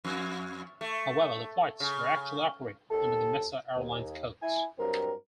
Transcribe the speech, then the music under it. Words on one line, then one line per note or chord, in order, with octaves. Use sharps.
However, the flights were actually operated under the Mesa Airlines codes.
F2
A3
C#3
D#2 A4
D#2
E4 G#5
G2 F#3 C4 A#4